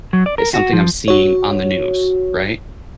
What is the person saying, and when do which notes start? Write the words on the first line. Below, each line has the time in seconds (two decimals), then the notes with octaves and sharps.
it's something I'm seeing on the news, right?
0.13 F#3
0.26 D5
0.38 A#4
0.54 F#4
0.73 F3
1.08 F#4 C#5